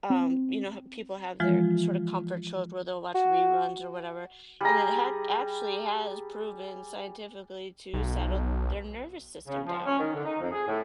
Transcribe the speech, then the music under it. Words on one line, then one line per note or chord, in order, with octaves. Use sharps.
um, you know, ho people have their sort of comfort shows where they'll watch reruns or whatever and it ha actually has proven scientifically to settle their nervous system down.
C4
E3 F3 G#3 F4
F#4
G3 G#4 A#5
B1
C#3
F3
C#4
D#3
D3
D#4
F2
G#4
A2